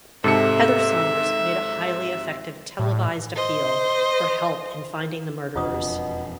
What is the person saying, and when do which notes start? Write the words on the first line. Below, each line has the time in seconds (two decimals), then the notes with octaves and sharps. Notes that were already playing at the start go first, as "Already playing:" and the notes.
Heather Saunders made a highly effective televised appeal for help in finding the murderers.
0.24 G#2 C3 A4 E5 C#7
2.79 A2
3.35 C5 D#5
5.55 E1 F2 B2 D4 F4 C#6 D#6